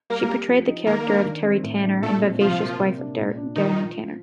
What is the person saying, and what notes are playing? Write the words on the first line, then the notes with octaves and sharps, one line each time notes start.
She portrayed the character of Teri Tanner, the vivacious wife of Danny Tanner.
G3 A#3 A#4
G4
F3
D#4
D#3 A#3 A#4
D4
D#3
C4
A2
D4
A#2 A3 A4
C4
C3 F3 F4
A#3
C3
D4
A#2
D4
D#3 F3 D#4
F4
F3